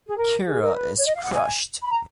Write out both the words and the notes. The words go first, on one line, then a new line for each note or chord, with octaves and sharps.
Kira is crushed.
G#4
A#4
G#4
A#4
B4
C#5
D#5
F5
F#5
G#5
B5
A#5